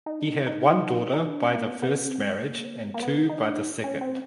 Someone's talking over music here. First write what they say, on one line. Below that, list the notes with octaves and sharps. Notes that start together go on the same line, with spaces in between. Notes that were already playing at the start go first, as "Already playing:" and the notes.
He had one daughter by the first marriage and two by the second.
D#4
D4
D#4
D#4
D#4
D4
C#4
A#3
B3
B3
C#4
C4
G#3
A#3
B3
A#3
B3
D#4
D#4
D4
D#4
C#4
C4